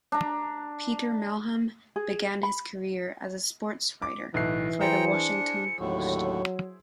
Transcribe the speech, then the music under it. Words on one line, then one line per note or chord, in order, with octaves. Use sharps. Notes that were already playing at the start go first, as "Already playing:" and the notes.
Peter Mehlman began his career as a sportswriter for "The Washington Post".
D4 A#5
G#4
B5
D6
B1 A2 E3 F#6 C7
E4 G#4 C5 G5 A#5 C#7
D4
D#2 A2 D3 F#3 C#6